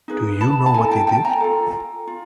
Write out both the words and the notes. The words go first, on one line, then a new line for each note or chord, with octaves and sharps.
Do you know what they did?
D#4 G#4 B4
A5 B5
A5
E4 A4 G#5 A#5
G5 A5
G5 A5
G#5 A#5
F4 A4
F4